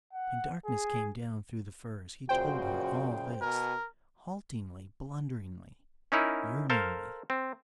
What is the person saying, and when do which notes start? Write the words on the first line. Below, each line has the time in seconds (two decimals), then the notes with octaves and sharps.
When darkness came down through the firs he told her all this, haltingly, blunderingly, yearningly.
0.13 F#5
0.65 G#4
2.29 F#2 A#2 C#3 F#4 C5 G5
3.41 B2 A#4 G#5
6.12 C#4 D#4 E4 A#4
6.70 A4 A#4 C5 F5
7.30 C4